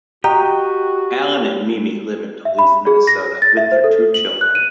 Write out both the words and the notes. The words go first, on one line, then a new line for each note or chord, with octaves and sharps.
Alan and Mimi live in Duluth, Minnesota, with their two children.
F#4 G4 D#5 G5 A#5
E5
B5
G#4
A#6
A6
E5
C5
A4
F#7
F#6
D#7